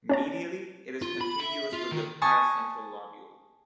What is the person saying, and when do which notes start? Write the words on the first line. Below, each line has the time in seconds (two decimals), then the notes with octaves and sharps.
Medially, it is contiguous with the paracentral lobule.
0.09 C#4 C#5 A5
1.02 F4
1.21 B5
1.40 E5
1.73 F4
1.92 D#3
2.22 G#5 A5 C#6 D#6 A6